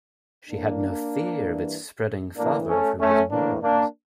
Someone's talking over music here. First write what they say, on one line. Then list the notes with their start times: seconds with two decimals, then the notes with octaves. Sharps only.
She had no fear of its spreading farther through his means.
0.49 A2 E3 A#3 D4
1.44 G2 E3
2.37 A2 E3 A#3 D4
2.68 A3 C#4
3.00 A3 C#4
3.31 A2 E3 A#3 D4
3.63 A#3 D4